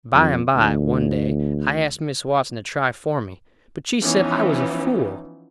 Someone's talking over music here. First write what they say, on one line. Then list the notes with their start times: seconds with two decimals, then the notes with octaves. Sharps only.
By and by, one day, I asked Miss Watson to try for me, but she said I was a fool.
0.14 F2
0.55 D2
4.04 E3 F3 B3 C#4 D#4